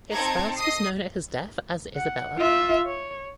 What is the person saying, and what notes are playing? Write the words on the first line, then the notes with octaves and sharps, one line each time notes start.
His spouse was known at his death as Isabella.
C4 D#4 A4 A#5 G#6
D#5 D#6 C7
F#5
F4 E5
C#5